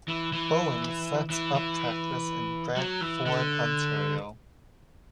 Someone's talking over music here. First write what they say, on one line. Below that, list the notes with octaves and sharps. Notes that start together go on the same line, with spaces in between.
Bown set up practice in Brantford, Ontario.
E3
E3
E3
E3
F#3
E3
D3